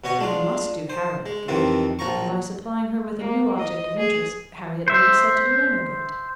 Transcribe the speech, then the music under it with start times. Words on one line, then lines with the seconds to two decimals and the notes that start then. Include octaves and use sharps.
Emma must do Harriet good: and by supplying her with a new object of interest, Harriet may be said to do Emma good.
0.04 B2 B3 C#5 D#5
0.19 G#3 D4 F4
0.90 C5
1.26 G#3
1.48 F2 C3 D#3 E3 C4
1.99 A#1 F3 A#5 C#6
3.18 A#3
3.58 D#5
3.99 G#4
4.88 C5 E5